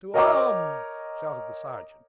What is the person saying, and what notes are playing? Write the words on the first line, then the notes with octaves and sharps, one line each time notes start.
"To arms!" shouted the sergeant.
A#4 C#5 D#5 G5 A#5 D6